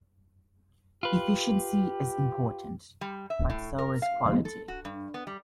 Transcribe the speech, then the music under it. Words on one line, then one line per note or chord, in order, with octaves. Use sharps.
Efficiency is important, but so is quality.
F4 G4 B4
G3
E5
A2
A#4
F5
A4
F#4
G2
B3
G3